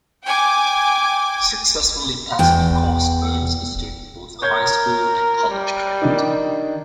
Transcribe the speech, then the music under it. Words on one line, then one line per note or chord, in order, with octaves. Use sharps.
Successfully passing a course earns a student both high school and college credit.
G5 G#5 D6
E2 G5
A#4 C#5 G6 G#6
G3
D#3 D4 D#4